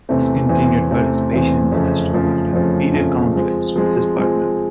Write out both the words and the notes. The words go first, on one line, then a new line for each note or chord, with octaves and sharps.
He discontinued participation in the festival after repeated conflicts with his partner.
E2 C3 E3 A3 C4
E2 C3 E3 A3 C4
E2 C3 E3 A3 C4
E2 C3 E3 A3 C4
F2 C#3 F3 A3
F2 C#3 F3 A3
F2 C#3 F3 A3
F2 C#3 F3 A3
F3 G#3 C4
F3 G#3 C4
F3 G#3 C4